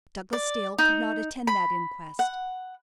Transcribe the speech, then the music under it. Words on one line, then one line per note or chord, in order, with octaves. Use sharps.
Douglas Dale could not attend that inquest.
D5
D#4
B5
F#5